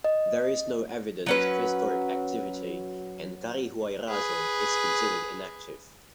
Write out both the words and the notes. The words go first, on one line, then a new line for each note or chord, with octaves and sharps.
There is no evidence of historic activity and Carihuayrazo is considered inactive.
D#5
F#3 C#4 B4
G#4 B4